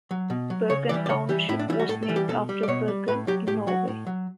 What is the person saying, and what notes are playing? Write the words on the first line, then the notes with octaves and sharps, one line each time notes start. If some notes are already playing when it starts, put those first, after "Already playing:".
Bergen Township was named after Bergen, in Norway.
F#3
B2
F#3
C#3 C#5
E3 G3 D5
D5
C#3 C#5
E3 G3 G4
A2 E4
D4
E3 G3 E4
F#4
A2 A4
A4
E3 G3
G4
B2 A4
G3
D5
B2 C#5
G3
A2 B4
F#3 G4
A2 G4
F#3 F#4
A2
F#3